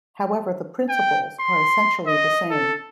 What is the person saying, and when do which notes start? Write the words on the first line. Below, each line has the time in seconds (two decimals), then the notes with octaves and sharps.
However, the principles are essentially the same.
0.89 G5
1.40 C6
2.06 D#5
2.50 A4